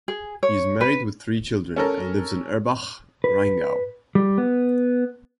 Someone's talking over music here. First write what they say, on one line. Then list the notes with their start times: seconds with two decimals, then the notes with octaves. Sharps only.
He is married with three children and lives in Erbach, Rheingau.
0.08 G#4
0.43 C#5
0.81 B4
1.76 C#4 A4 A#4
3.24 B4
4.15 G3
4.38 B3